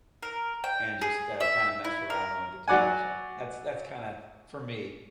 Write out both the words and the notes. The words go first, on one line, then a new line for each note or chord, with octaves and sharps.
and just, uh, kinda mess around on the guitar, so, that's that's kinda for me.
A#4
G5
G#4
E5
E4
A#4
F#3 F#4 D5 F#5 G#5